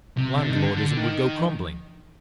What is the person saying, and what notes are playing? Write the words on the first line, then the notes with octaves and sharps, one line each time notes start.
Landlordism would go crumbling.
C3
D3
D#3
D3
D3
D#3